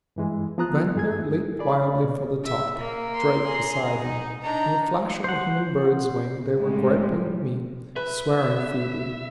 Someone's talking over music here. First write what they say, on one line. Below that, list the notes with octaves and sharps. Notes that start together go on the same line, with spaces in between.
Ventnor leaped wildly for the top, Drake beside him; in the flash of a humming-bird's wing they were gripping me, swearing feebly.
G2 E3 G#3
F3 B3 F4 A#5 D#6 F#6
G2 G#4 G#6
G#4 D5 B5
B2
E5
A#3
C6
G#4 A#5
D#4
D4 D#4 A#5
C5 F#5
A2 G3 G#3
B4 E5